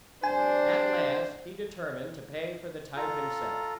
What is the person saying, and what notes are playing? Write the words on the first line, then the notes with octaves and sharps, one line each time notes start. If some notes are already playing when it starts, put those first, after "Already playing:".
At last he determined to pay for the type himself.
F2 G3 D4 C5 G#5
F4 A4 A#5